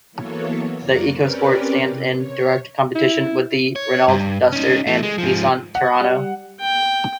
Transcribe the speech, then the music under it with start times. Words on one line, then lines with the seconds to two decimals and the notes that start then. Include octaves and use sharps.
The Ecosport stands in direct competition with the Renault Duster and Nissan Terrano.
0.12 E3 F#3 A#3 B3 A4 C#5
0.81 F#2 A#3 D5 A#5 C#6 F#6
1.15 C4 C#4 G4 A#4 B4 D5
1.81 C3
2.14 C#5
2.96 E4
3.76 C#5
4.08 G2
4.52 C#4 D#4
4.87 E3 A3
5.03 G#3
5.18 G#2 F3
5.75 F#5
6.01 G3
6.60 G5